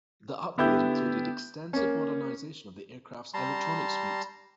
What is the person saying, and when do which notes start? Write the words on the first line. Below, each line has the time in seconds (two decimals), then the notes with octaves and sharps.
The upgrade included extensive modernisation of the aircraft's electronic suite.
0.58 D3 B3 E4 G4 G6
1.73 A#3 C#4
3.34 G3 A5 A#5 C6